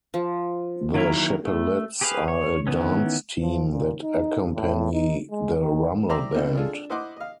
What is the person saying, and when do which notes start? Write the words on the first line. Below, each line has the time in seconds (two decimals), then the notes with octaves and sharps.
The Chapellettes are a dance team that accompany the Rummel Band.
0.14 F3
0.94 D#3 F#3 A#3 E4 A#4
1.45 A3
2.01 G4 G#4 B4 C5 F5
2.28 C#5
2.67 D#3 E3 B3 C#4
3.41 F3
3.72 A#2
4.03 D#4
4.55 A2
4.93 D#4
5.31 G#3
5.61 D#3
6.09 C5 D5 E5 G5 A#5 C6
6.35 B2 C4 D4 D#4 F4 A4
6.56 G#3 D4 F4 G#4 A4
6.74 D4
6.90 E4 C5 D#5 F#5 C6 D6
7.16 D#5 F5